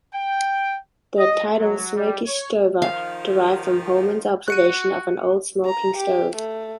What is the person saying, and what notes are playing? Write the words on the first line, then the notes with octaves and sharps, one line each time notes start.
The title "Smokey Stover" derived from Holman's observation of an old smoking stove.
G5
D#5
F#3
G3
C#5
D#3 F3 F5
F#4 F#6 C#7 D#7
A#5
G4
A3